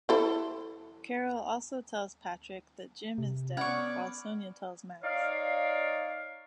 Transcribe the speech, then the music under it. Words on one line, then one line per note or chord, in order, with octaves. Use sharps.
Carol also tells Patrick that Jim is dead, while Sonia tells Max.
E4 A4 C5
C3
B3 C#4 D5 F#5 B5 C#6 F6 G#6
D#4 C#5 D5 F5